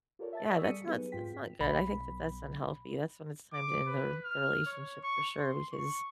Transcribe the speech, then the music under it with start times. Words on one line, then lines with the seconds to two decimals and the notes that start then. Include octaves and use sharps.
Yeah. That's not s that's not good. I think that that's unhealthy. That's when it's time to end the r the relationship, for sure, because
0.19 F4 G4 A4 A#4 C#5 D5
0.33 E5 A5 A6
0.48 D5 G#5 C#6 D#6 E6 B6
0.64 G3 G4 A4 C#7 D#7
0.86 F#3 B3 D#4 G4 G#4 B4
1.12 G#2 C4 F4 G#4 G5 B6
1.61 B1 B5
3.53 D6
3.87 B4
4.24 F6
4.66 C#5
5.03 C#6
5.39 C6
5.73 C#6